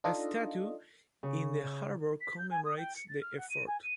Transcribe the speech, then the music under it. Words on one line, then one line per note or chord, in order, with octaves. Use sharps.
A statue in the harbour commemorates the effort.
D4 D#4 F4 A4 D#5
C#3
B6
G6
G#5
D#6
G5
C#7
A6
F6
F#5
D#7
G#5
D#7